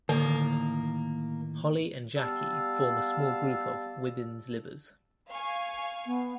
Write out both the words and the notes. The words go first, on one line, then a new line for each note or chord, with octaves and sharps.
Holly and Jackie form a small group of "women's libbers".
A2 D3 D#3 A#3
G3 B3 F5 A5 E6
F5 G#5 C#6
B3